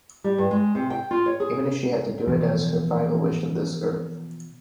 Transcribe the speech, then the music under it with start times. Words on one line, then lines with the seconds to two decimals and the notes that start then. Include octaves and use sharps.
Even if she had to do it as her final wish on this earth.
0.24 G3
0.38 G2
0.51 G#3
0.75 C3
0.90 G5
1.11 F4
1.26 C#5
1.40 G#4
2.27 B2 E3 F3